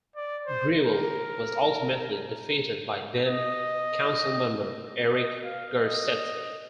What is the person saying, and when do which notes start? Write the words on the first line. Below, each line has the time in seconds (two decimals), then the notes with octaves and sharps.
Greuel was ultimately defeated by then-Councilmember Eric Garcetti.
0.16 D5
0.47 C5
0.78 A#4
3.26 D#5
5.13 D#5
5.44 F5
5.74 D#5